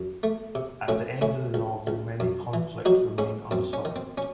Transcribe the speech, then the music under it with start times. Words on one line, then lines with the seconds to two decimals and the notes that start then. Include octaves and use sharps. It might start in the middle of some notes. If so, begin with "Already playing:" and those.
At the end of the novel, many conflicts remain unresolved.
Already playing: F#2
0.23 A3
0.55 C3
0.88 A2 C#4 E4
1.21 A2 C#4 E4
1.54 C#2
1.87 C#2
2.20 F#2
2.54 E3
2.85 F#3 D#4 F#4
3.18 G#2 C#4
3.51 F#2 C4
3.73 C#4
3.85 D#3
3.96 C4
4.18 C#4